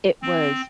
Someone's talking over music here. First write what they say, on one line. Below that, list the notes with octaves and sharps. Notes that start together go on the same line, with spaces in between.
it was
C4